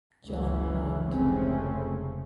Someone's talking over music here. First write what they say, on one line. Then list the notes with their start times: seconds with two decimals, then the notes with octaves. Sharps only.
John Hand.
0.24 F#1 C#2 F#2 C#3 E3
1.08 F1 C#3 G#3 A3 C4 C#4